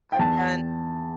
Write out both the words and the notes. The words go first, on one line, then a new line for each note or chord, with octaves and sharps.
I've done
G5
E2 A5